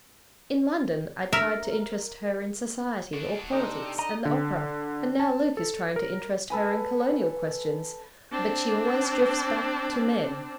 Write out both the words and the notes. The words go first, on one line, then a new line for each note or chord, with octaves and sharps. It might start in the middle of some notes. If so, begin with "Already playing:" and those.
In London, I tried to interest her in Society, or Politics, and the Opera--and now Luke is trying to interest her in Colonial questions--but she always drifts back to--Men.
A#4 E5
D4 F#4
C3 D4 D#4 A4
D#5 A#5
D3
A5
A4
A#4
A4 B4 G#5
C4 D4